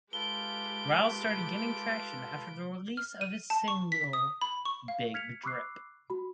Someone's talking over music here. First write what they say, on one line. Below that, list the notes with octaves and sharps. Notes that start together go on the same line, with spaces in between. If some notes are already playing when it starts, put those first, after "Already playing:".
Ryles started gaining traction after the release of his single "Big Drip".
G#3 F4 G4 A4 B4 D7 G7
F6
D#7
A5
C#6
B6
D#6
B5
C#6
F5
F6 G#6 B6 C#7 F7
B5 C#6 D6 E6 F#6 C7
F#4 B5